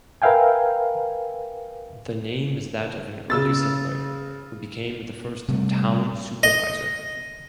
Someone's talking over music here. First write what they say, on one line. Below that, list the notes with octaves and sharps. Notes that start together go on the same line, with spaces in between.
The name is that of an early settler, who became the first Town Supervisor.
A#4 B4 E5 F5 G5 G#5
C#3 E6 A6
C3 G3 A3
D#5